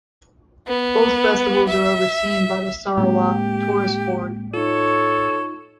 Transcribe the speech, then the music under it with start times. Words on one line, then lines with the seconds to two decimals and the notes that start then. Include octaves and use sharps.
Both festivals are overseen by the Sarawak Tourist Board.
0.67 B3
1.69 E5
2.97 A2 G#3 A#3 C4 G4
4.54 D#4 F4 A4 C#5